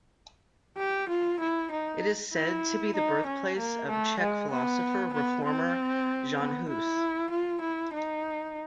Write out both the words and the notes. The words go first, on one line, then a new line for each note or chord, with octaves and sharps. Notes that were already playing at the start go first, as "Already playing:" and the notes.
It is said to be the birthplace of Czech philosopher, reformer Jan Hus.
G4
F4
E4
D#4
E4
D#4
C#4
A#3
A3
G#3
B3
B3
C4
B3
E4
F4
E4
D#4